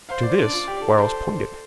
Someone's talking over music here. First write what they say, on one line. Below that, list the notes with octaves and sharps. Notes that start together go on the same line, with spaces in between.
To this Quarles pointed.
C5 F5
D5
D4 D5
F4
G4
A4
A4 C5